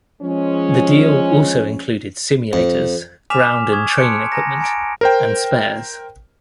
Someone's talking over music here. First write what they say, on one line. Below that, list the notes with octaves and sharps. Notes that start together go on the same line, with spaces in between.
The deal also included simulators, ground and training equipment and spares.
F3 G#3 C#4
F2
G#5 D6 F6 B6 E7 F7
C#6 D#6 G#6
A5 C6 D6 F#6 C#7 D7
G#5 A#5 A#6
G#5 A#5 D7
A#4 C5 G5